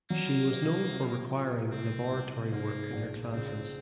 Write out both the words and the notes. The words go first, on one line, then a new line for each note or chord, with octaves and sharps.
She was known for requiring laboratory work in her classes.
F#3 A#3
C3
C4
A#2
C2 C4
C2
G#2 A#3
A#1
C#3 C4